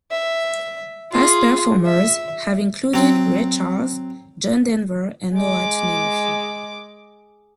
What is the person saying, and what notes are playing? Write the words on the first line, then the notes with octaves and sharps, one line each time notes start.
Past performers have included Ray Charles, John Denver, and Noa to name a few.
E5
F4 G#4
E5
F#3 C4
G#3 D6